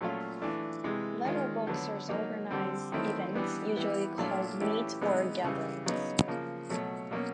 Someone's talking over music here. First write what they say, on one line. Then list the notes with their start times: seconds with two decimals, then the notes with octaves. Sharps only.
Letterboxers organize events, usually called "meets" or "gatherings".
0.01 A#2 F#3 A3 C#4 F4
0.42 E3 A3 D4
0.84 C3 E3 G#3
1.25 D#3 G#3 C#4 F4
1.67 D3 F#3 B3
2.09 F#3 A#3 D#4
2.51 D3 G3 C4
2.92 D#3 F#3 A3 C4 E4
3.34 E3 G3 B3 D4
3.77 E3 G3 B3 E4
4.18 A#2 F#3 A3 D4 F4
4.60 E3 A3 C#4 E4 G4
5.02 C3 E3 G#3 B3 D#4
5.44 C#3 E3 G3
5.86 C#3 F#3 B3 D#4
6.28 C#3 F3 A#3
6.69 B2 F#3 A3
7.11 B2 F#3 A#3 C#4